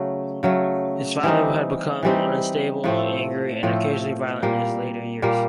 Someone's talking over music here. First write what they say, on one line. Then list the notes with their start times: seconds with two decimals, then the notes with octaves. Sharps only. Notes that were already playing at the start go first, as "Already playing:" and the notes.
His father had become unstable, angry and occasionally violent in his later years.
Already playing: C#3 F#3 A3
0.43 C#3 F#3 A3
1.23 E3 G3 C4 D#4
2.03 E3 G3 C4 D#4
2.84 A2 F3 A3 C4
3.63 A2 F3 A3 C4
4.43 A#2 G3 A#3
5.22 A#2 G3 A#3